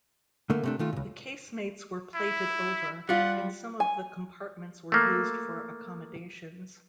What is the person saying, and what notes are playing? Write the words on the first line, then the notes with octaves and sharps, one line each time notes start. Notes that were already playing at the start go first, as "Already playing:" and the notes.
The casemates were plated over and some of the compartments were used for accommodations.
D3 A3 A#3
C3 A3 D4
D#3 A3 F4
C#2 A#2
E4
G3 F4 F#5
G#5
A3 A#3